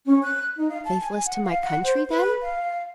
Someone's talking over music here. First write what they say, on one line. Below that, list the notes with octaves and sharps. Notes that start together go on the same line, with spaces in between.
"Faithless to my country then?"
C#4
F#6
D#4
F5
A5
G#5
F#5
F5
F#5
C5
B4
F5